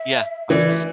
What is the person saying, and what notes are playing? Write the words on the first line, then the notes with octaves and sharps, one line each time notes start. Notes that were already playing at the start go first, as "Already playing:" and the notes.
Yeah. I was gonna s
Already playing: E5
E3 D5
E5